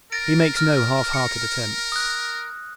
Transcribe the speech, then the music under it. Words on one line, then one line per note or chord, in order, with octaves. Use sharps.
He makes no half-hearted attempts.
A#4 A6 A#6 D7
F6
A#6 C#7
D#6 F#6